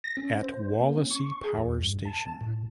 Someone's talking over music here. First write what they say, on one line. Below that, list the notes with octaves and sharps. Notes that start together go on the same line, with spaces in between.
At Wallasey power station.
A#6
C#4
C5
A#3
C#4
C#6
G#4
E2
G2
A5
A2